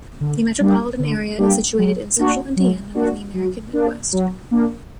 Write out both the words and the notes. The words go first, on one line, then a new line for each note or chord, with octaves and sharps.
The metropolitan area is situated in Central Indiana, within the American Midwest.
D3
G3 A#3 D4 G4
D3
G3 A#3 D4 G4
F#3
A#3 D4 F#4
F#3
A#3 D4 F#4
F#3
A#3 D4
F#3
A#3 D4